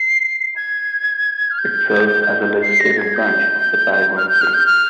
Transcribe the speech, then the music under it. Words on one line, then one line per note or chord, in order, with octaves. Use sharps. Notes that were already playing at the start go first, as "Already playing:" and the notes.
It serves as the legislative branch of the Paraguayan state.
Already playing: C7
G#6
F6
G6
C7
A#6
G#6
G6
F6
G6
F6
G6
F6